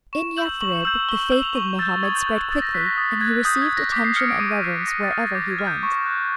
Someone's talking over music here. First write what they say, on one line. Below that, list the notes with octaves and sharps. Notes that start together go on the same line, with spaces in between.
In Yathrib the faith of Mohammed spread quickly and he received attention and reverence wherever he went.
C#6 E7
E6 G6 F#7
C#6 F#7
E6 G6 F#7
C#6 G7
F#7
E6 G6 F#7
F7
C#6 D#7
E6 G6 A6
D#6 G#6
G6
F#6 G6
G#6
D#6 A6
A#6
F#6 B6
A#6
D#6 A6
F#6 G#6
D#6 G6
G#6
F#6
A#6
D6 B6
C7
F6 C#7
D7
D6 D#7
D#7
F6 C7
B6
D6 A#6
A6
F6
G#6
D6 G6
G#6
F6
G6
C#6
F#6